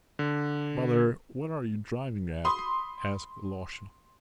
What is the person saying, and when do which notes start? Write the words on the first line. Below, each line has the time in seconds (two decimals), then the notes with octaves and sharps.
"Brother, what are you driving at?" asked Alyosha.
0.19 D3
2.45 B5 C6 D#6